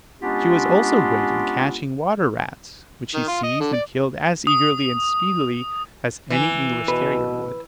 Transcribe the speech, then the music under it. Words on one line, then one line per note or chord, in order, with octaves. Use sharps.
She was also great in catching water-rats, which she seized and killed as eagerly and speedily as any English terrier would.
G#3 B3 C#4 D4 F4 G4
D#3
F4
D#5
D3
D5
D#6
E3
B2 B4